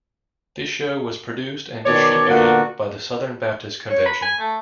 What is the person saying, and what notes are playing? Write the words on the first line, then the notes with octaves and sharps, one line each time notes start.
This show was produced and distributed by the Southern Baptist Convention.
B2 D#3 C#5 D5
A#2 D3 A#3 B3 D4 F#4
C#5
B5
G#5
A3